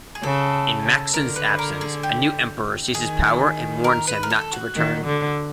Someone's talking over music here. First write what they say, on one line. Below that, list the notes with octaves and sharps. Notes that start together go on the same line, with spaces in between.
In Macsen's absence, a new emperor seizes power and warns him not to return.
G#4
C#3 A4
D3 A#4
B4
A#4
G#4
G4
D#3 G#4
A#4
B4
A#4
A4
F#4
D#3
D3